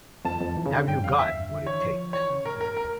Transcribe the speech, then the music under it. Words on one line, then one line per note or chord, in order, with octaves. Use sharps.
Have you got what it takes?
F2 A5
F2
E3
C#3
D3
G2 G5
F2 F5
E2 E5
G2
D3
E3 C#5
F3
E3 C#5
C#3
A2 A#4
F2 A#4
G2
A2 A#4